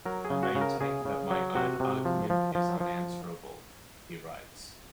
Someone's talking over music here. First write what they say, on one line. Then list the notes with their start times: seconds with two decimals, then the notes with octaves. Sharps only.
"I maintain that my own argument is unanswerable", he writes.
0.06 F#3 A#4
0.25 G#4
0.30 C#3
0.43 F#4
0.55 C#3
0.61 A#4
0.81 C#3 G#4
1.05 C#3
1.31 F#3
1.55 C3 F#4
1.80 C3
2.05 F3
2.30 F3
2.55 F3
2.80 F3